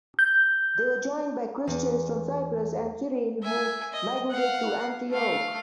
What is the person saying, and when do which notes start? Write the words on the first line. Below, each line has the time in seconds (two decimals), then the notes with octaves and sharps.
They were joined by Christians from Cyprus and Cyrene who migrated to Antioch.
0.19 G6
1.67 E2
3.42 E5 G#5
3.92 D#5
4.30 F5 F#5
5.09 A3 F5